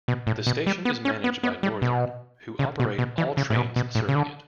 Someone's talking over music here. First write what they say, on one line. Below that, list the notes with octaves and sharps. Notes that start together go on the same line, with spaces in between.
The station is managed by Northern, who operate all trains serving it.
B2
A2
B2
G3
B3
C#4
B3
B3
G3
B2
C#3
B2
B2
E3
C#3
A2
B2
B2
A2
C#3
D3